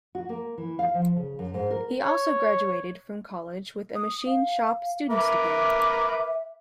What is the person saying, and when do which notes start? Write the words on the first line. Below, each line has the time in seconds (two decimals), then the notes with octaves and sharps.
He also graduated from college with a machine shop student's degree.
0.15 F#4
0.29 A#3
0.58 E3
0.79 F5
0.94 F3
1.16 C#3
1.39 F#2
1.54 G#2
1.71 A#4
2.00 C#5
3.95 D#6
4.26 F5
5.10 A#4 B4 E5 D6
5.43 E5